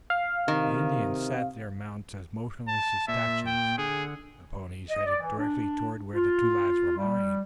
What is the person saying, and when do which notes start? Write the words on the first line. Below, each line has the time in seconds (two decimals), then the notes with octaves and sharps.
The Indians sat their mounts as motionless as statues, the ponies headed directly toward where the two lads were lying.
0.10 F5
0.48 C3 D#3
2.68 A5
3.08 A#2 E5
3.47 G5
3.78 D3 G#4
4.90 D#5
5.05 D5
5.19 E3
5.38 D4
6.15 F4
6.97 G3